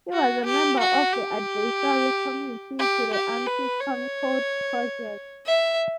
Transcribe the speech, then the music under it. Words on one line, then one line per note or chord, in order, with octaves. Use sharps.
He was a member of the advisory committee to the Anti-Concorde Project.
F#4
G4
F#4
G4
G4
G4
B4
C#5
E5